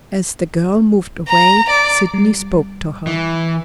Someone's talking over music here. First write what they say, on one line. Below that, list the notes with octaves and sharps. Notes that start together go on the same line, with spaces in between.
As the girl moved away, Sydney spoke to her.
A#5
D5
G3
E3